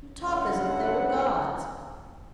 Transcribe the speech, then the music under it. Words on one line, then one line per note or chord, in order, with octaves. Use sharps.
You talk as if they were gods.'
F#1 C#2 C#4 D4 E4 F#5